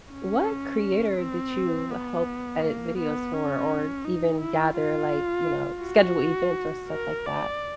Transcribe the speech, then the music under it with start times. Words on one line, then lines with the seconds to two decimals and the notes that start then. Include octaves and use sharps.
what creator did you help edit videos for, or, even, gather, like, you know, schedule events or stuff like that?
0.12 C#4
1.19 C4
1.91 B3
2.62 A#3
2.97 B3
3.33 C#4
4.05 D#4
4.40 E4
4.76 F4
5.83 F#4
6.89 A#4
7.26 D5